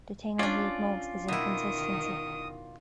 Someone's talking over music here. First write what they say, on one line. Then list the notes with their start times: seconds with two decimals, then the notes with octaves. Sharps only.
The thing I hate most is inconsistency.
0.39 C#4 D4 F4 D5
1.28 B2 D#3 E4 D#6